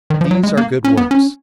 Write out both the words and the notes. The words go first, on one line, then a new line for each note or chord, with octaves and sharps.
These are good works.
D#3
F3
F#3
G#3
A#3
C#4
B3
C#4